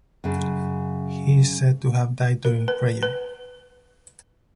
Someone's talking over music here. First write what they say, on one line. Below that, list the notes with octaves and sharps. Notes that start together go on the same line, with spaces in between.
He is said to have died during prayer.
F#2 C#3
A#4
B4
B4